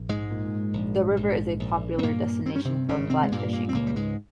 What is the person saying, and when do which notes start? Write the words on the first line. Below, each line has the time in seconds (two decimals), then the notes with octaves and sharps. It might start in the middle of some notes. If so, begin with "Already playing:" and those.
The river is a popular destination for fly fishing.
Already playing: A#1
0.09 G#2 G#3
0.31 A#2
0.73 A#1
1.17 A#1
1.60 A#1
1.98 C4
2.02 G2 A#2 A#3
2.46 G2 C4
2.56 C#4
2.65 C3 C4
2.89 G#1 C#3 C#4
3.10 C3 C4
3.23 G#3
3.32 G2 A#2 A#3
3.53 A#2 A#3
3.69 C4
3.74 C#2 A#2 A#3
3.87 G3
3.96 G#2 G#3